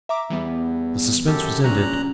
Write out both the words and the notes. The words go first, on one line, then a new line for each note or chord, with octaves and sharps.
The suspense was ended.
E5 A#5 D6
E2 E3 G3 B3
F#2 G4 A4
A#2 F#3 C#4 D4 A#5 F#6